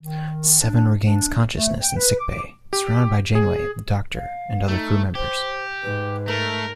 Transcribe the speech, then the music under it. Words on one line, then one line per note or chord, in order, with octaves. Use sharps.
Seven regains consciousness in sickbay, surrounded by Janeway, the Doctor, and other crew members.
D#3
D4
D4
A3
G5
B4
D6
G4
G#4
F5
A3 D#4
G4 C5
G#2 B4
A3 A#4